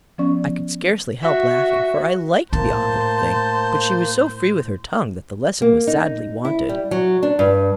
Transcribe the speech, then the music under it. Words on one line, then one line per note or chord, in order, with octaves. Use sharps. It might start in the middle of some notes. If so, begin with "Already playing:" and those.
I could scarcely help laughing, for I liked the odd little thing; but she was so free with her tongue, that the lesson was sadly wanted.
F3 B3 C#4 D5 C#6
F#4 E5
A2 A#3 C5 A5
A#3
D#4
E4
G3
F#3
D4
G2